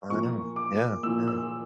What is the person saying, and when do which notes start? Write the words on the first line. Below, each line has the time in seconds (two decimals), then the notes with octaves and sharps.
I know. Yeah, yeah.
0.09 A#2 F3 A#3 C#6
0.56 D6
1.03 A#2 F3 A#3 E6
1.28 E6